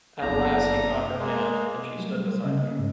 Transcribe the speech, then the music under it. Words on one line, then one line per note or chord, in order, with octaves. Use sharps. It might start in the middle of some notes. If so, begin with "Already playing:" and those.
At last he caught her hand, and she stood beside him.
F#1 B3 D4 E4 A4 A#5
G#3 A#3
F#3 G3 A3
C#3 D#5
A#3
G#2